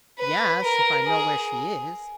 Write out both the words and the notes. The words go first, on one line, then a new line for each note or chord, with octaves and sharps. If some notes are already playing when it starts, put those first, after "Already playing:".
"Yes, if I know where she is!"
B4
A#4
G#4